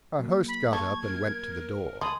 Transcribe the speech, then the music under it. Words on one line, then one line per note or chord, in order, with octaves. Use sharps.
Our host got up and went to the door.
F#3 A#3
B5
A4 C#6 G#6
A#4
D2 G#3 A5 B5 D#6